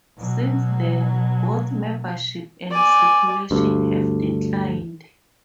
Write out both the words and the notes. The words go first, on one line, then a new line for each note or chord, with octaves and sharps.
Since then, both membership and circulation have declined.
B2 F#3
D5 G#5
D2 G2